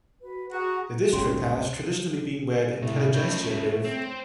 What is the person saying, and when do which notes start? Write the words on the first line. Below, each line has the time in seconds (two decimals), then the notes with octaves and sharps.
The district has traditionally been where the intelligentsia live.
0.22 F#4 B4
0.51 F#4 G#4 F#5 A#5
1.13 G1 C#2 C#3 C#4 C6
2.82 C2 A2 C3 A3
3.14 C#3 B4 C#5 G6
3.84 C4